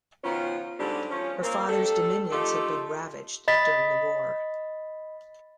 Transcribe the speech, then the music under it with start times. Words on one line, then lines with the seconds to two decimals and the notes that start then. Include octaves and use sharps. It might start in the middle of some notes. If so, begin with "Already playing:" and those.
Her father's dominions had been ravaged during the war.
0.24 B2 D#3 F3 B3 C#4 F4
0.80 G#2 D3 F#3 G3 C4 D4
1.10 F3 C#4
1.42 A#3 C4
1.69 G3 A3 D4 A4
2.31 F3 A3 D#4 F4 G4 A4
3.48 D#5 B5 A6 B6